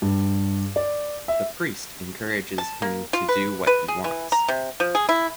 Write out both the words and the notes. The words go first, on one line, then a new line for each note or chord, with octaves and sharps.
The priest encourages him to do what he wants.
G2
D5
E5
A5
A#3
F4
B4
B4
G#4
E3
A#5
C3
F3
G#4
E4